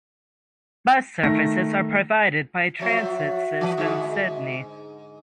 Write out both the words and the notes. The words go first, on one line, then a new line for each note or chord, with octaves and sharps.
Bus services are provided by Transit Systems Sydney.
D#3 A3 A#6
F3 F#3 C4 F#4 E5
E3 B4
G#2 D3 G#3